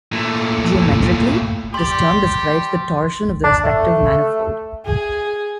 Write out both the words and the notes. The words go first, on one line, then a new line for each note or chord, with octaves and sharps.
Geometrically, this term describes the torsion of the respective manifold.
A#2 A3
G3 G4 C6 A6
D4
A3
G#4